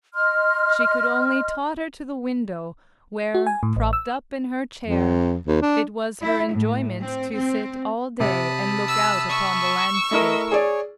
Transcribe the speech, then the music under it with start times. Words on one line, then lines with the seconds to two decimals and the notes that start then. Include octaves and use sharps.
She could only totter to the window, where, propped up in her chair, it was her enjoyment to sit all day and look out upon the landscape.
0.15 D#5 C6 F6
3.35 F#4
3.47 G#5
3.63 A2
3.76 A1
3.93 E6
4.86 F2
5.47 D#2
5.62 D4
6.22 E4
6.53 A2
7.00 C4
7.32 C4
8.20 C3 A5 B5 D#6
8.88 E6
9.30 C#6 E6
10.11 A3 E4 A#4 D#5 E5
10.52 G#4 C#5 D5